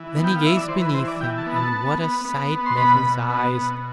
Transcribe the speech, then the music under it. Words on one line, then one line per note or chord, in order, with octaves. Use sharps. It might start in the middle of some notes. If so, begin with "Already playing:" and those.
Then he gazed beneath him, and what a sight met his eyes!
Already playing: E3
B3
G5
F5
E3 E5
D5
E3 C5
B4
E3 C5
D5
E3 G5
A5
B3
A5
B3
B3
B3
B3
C6
B2 B5
B2
B3
B2